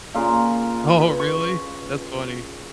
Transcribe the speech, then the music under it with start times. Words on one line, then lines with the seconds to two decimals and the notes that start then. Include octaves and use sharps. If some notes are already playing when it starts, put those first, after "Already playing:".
Oh, really? That's funny.
0.14 A#2 C#3 F4 A#4
0.99 B4
1.20 C#6